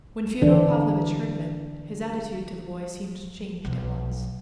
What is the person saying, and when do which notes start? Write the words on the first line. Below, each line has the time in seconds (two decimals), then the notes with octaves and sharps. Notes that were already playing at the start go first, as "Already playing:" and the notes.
When Fyodor Pavlovitch heard of it, his attitude to the boy seemed changed at once.
0.42 D3 E3 D4
3.65 B1